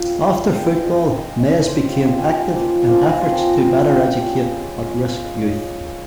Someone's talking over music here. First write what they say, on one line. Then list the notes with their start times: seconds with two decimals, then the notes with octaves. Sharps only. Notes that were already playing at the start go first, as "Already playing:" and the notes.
After football, Mayes became active in efforts to better educate at-risk youth.
Already playing: C4 F4
0.15 G#3 D#4
0.49 F3 G#3 C4 G5
0.58 G#4
0.66 A#4
0.74 C5
0.83 F3 G#3 C4 D#5
0.94 D#5
1.06 D#5
1.17 G#3 D#4 A#5
1.28 G#5
1.40 D#5
1.51 G#3 D#4 C#5
1.59 A#4
1.68 C5
1.85 G3 C#4 F4
2.19 G3 C#4 F4 G#5
2.53 F3 A#3 F4
2.87 F3 A#3 F4 G#5
2.98 G#5
3.09 A#5
3.21 F3 C4 F4 G#5
3.55 F3 C4 F4
3.88 G3 A#3 C#4 F4 G5
4.22 G3 A#3 C#4 F4
4.57 G#3 C#4 F4 F5
4.91 G#3 C#4 F4
5.25 G#3 D#4 D#5
5.36 C#5
5.47 D#5
5.59 G#3 D#4